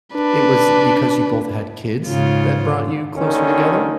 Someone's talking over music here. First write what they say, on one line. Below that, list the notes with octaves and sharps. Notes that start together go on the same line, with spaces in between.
it was because you both had kids that brought you closer together?
D4 B4
G#2 C#3 F4
D#2 D3 D#3 C#4